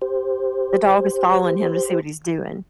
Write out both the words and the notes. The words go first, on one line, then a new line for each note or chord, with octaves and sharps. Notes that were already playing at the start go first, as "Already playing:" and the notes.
the dog is following him to see what he's doing.
G4 C5